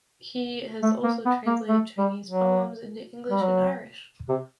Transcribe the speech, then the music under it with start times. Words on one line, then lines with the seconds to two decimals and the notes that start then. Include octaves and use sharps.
He has also translated Chinese poems into English and Irish.
0.83 A3
1.04 A#3
1.25 B3
1.47 A#3
1.69 A3
1.98 G3
2.27 F#3
3.30 G3
3.41 F#3
4.29 C3